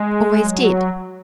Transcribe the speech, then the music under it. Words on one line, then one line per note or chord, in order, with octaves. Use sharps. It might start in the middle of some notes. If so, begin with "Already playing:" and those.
Always did.
Already playing: G#3
F#3